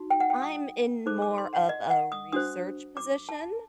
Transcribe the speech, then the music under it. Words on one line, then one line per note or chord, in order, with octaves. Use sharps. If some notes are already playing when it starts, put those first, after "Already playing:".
I'm in more of a research position,
Already playing: D#4 F#4
G5
F#5
G5
D#6
D#4 A4 C5 D6
D6
C6
F#5
D#5
F#5
D#6
D4 F#4 C5 D#6
D6
A5